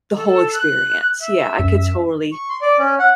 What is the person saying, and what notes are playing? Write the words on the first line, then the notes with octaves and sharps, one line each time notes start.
the whole experience. Yeah, I could totally s
A4
F#6
E5
F#2
C#6
C6
D5
C#4
F#5